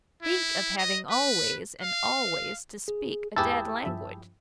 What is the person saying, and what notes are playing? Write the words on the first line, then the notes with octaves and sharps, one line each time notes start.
Think of having always--and always--to speak a dead language!
E4
D#5
B4
F5
G#4
E2 G#2 E4 G4 G#4 B4 A5 E6
G2 F3 E5